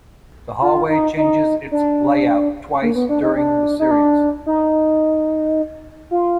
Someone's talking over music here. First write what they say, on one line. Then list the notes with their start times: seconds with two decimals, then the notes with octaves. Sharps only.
The hallway changes its layout twice during the series.
0.62 F4
0.89 D#4
1.17 D#4
1.71 D4
2.82 A#3
2.95 B3
3.09 D4
3.22 D#4
3.36 D4
3.79 D#4
3.91 D4
4.46 D#4
6.11 F4